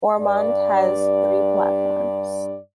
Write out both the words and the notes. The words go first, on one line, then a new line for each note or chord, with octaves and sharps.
Ormond has three platforms.
G2 D5